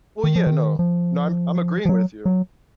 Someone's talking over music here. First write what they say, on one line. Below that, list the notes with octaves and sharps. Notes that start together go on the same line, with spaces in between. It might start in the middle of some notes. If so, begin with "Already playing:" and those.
Well, yeah, no. No, I'm I'm agreeing with you.
D#3
F3
D#3
F3
F3
F#3
F#3